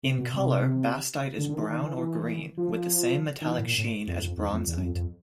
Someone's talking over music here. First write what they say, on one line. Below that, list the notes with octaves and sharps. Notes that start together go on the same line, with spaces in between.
In color bastite is brown or green with the same metallic sheen as bronzite.
C3
B2
C3
D3
D3
D#3
E3
D#3
E3
E3
F3
D#3
E3
A2
A#2
A2
F2
F2
E2
F2
E2
F#2
F2
F2